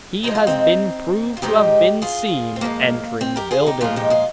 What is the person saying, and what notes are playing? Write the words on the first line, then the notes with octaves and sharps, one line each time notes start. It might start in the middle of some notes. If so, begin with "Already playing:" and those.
He has been proved to have been seen entering the building.
G#2 F3 G#3 D#4
F4
C4 D#4
F4
G#2 F3 G#3 D#4 G4
F4 G#4
C4
G#2 F3 G#3 A#3
C4
G4 A#4
F4 G#4
D#4 G4
A#2 F3 G#3 D4 F4
D#4 G4
F4 G#4